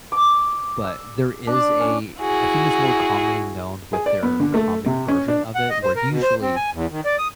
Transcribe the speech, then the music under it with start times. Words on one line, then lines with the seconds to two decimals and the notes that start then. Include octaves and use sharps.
but there is a I think it's more commonly known with their comic version of it where usually
0.12 D6
0.85 E6
1.47 D4
1.80 C#4
2.20 E4 F#4 G#4
3.93 G#4
4.06 D5
4.23 B3
4.40 D3
4.54 A3
4.86 C3
5.08 C#4
5.28 D4
5.55 F#5
5.70 D#5
5.84 C5
5.96 A#4
6.10 B2
6.23 C5
6.42 C4
6.56 G#5
6.74 E2
6.91 D#3
7.05 D5
7.19 D#6